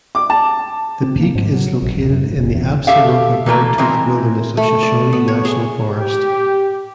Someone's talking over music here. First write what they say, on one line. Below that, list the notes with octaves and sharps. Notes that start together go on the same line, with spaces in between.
The peak is located in the Absaroka–Beartooth Wilderness of Shoshone National Forest.
D6
A5
C4
A#3
G#2
F#3
A#1
D#1
F#2
G#2
F1
E2
G4 A4 E5 F5
E3 F#3 A3 A#3
E3 G#3 C4 A#4
A3
D5
B3
C#5
G#4
G4